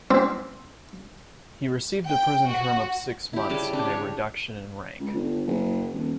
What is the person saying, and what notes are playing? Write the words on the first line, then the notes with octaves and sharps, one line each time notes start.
He received a prison term of six months and a reduction in rank.
C4
G5
F#4
E4 G4
C#3 G3 A5
C#3 D4
G4 C#5
C#2
G1
F#1
D#1